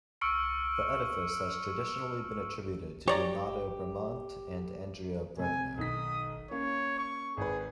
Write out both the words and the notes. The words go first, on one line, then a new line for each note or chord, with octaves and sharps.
The edifice has traditionally been attributed to Donato Bramante and Andrea Bregno.
C#6 E6 F6 C#7 D7
G4 C#5 D5 A#5
C3 G#5
B1 D#3 D#6 B6
A#3 C#4 C#5
C#6
G#1 G#4 B4